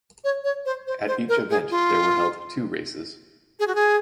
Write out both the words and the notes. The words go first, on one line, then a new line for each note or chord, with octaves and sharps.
At each event there were held two races.
C#5
C#5
C5
C5
C5
A#4
G#4
F4
G#4
F#4
G#4